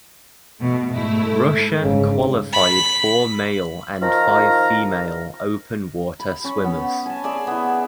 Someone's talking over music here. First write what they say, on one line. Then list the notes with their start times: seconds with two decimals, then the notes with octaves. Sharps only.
Russia qualified four male and five female open water swimmers.
0.59 B2 A3
0.94 G#2 A3 E4
1.26 A4
1.82 G1 G#2 C#3
2.53 B5
4.01 D#3 F3 F5 A#5
6.20 B5
6.44 C#4
6.64 B3
7.06 G#5 A5
7.24 G#4 D5 E5 G#5
7.47 B3 E4